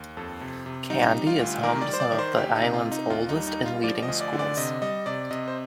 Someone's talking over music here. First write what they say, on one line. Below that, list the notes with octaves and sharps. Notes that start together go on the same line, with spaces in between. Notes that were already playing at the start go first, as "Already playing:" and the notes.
Kandy is home to some of the island's oldest and leading schools.
Already playing: D#2
F2 A4
C3
C3
G3 D#4
G3
F4
D2
D#3 A#4
D5
G3
C5
D5
D#3
C5
D2 G4
D#4
C3
F4
C3
D#4
D#2 F4
D#4
G3
D#4
G3
F4
F3 D5
D#5
D2
D5
D3
D5
C3 D#5
G3 D#5
C3 D5
C3 D#5
C5